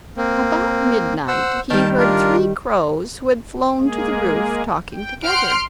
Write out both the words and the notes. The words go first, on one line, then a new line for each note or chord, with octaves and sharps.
About midnight he heard three crows, who had flown to the roof, talking together.
A#3 C4
C5 F#5 E6
D#3 G3 A5 G6
D4 F4 A#4
G#3 A#3 G#4
G5
F#5 G5 C6 F6 D7